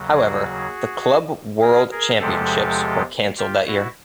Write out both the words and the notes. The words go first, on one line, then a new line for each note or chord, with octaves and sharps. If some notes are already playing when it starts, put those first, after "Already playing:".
However, the Club World Championships were cancelled that year.
Already playing: D#2 C#3 F#3
F#4 G#4
G#4 A#4
G#4 A#4
E2 C3 F3 G#3 G4 A4
F4 G4
E4 F#4